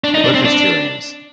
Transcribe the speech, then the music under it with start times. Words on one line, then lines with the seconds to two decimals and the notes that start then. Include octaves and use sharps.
The book has two aims.
0.04 D4
0.15 D#4
0.24 D4
0.34 C4
0.45 D4